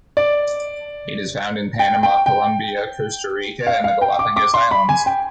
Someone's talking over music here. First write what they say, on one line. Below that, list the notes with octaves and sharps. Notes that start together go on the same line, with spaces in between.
It is found in Panama, Colombia, Costa Rica, and the Galapagos Islands.
D5
G5
G5
G5
F5
F5
G5
D6
D6
C6
B5
G#5
G5